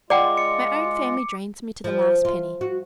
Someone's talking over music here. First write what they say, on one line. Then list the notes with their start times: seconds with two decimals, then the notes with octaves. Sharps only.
My own family drains me to the last penny.
0.10 G#3 F4 D5 F#5 G5 D6
0.37 C#7
1.84 F3
2.25 F4
2.61 F#4